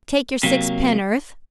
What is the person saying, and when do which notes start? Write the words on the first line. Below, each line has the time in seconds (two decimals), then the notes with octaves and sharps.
Take your sixpenn'orth.
0.43 C3 F#3 A#3